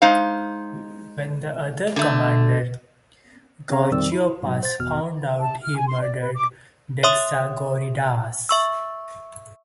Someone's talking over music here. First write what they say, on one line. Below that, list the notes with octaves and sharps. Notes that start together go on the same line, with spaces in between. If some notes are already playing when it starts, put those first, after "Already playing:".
When the other commander Gorgopas found out he murdered Dexagoridas.
G#3 D#4 C5 F5
D3 A3
C4 C#4 G#4 C#5 F5 A#5
F2 D#3 G3 C4 D5 E6
E4
G#2 B2 F#3
C5 A6
G1 E2 B2 F6
A5
F6
G#5
C6
D5
B4
D6
C#5 E5 C6 D#6
E5 C#6 E6